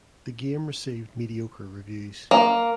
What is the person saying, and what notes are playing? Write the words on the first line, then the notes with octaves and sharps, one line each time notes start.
The game received mediocre reviews.
A#3